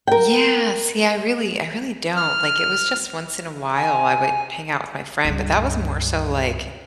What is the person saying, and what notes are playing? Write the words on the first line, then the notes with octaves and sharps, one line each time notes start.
Yes. Yeah, I really I really don't, like, it was just once in a while, I would hang out with my friend, but that was more so like
A#4 G5
F6
G#5
C#2 G2